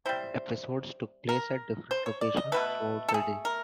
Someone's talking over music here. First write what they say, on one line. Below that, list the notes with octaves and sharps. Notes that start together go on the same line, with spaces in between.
Episodes took place at different locations throughout the day.
G3 C4 E4 C5
A#4
C5
C#5
D5
D#5
B2 F#3 A3 B4
A4
G#4
A#4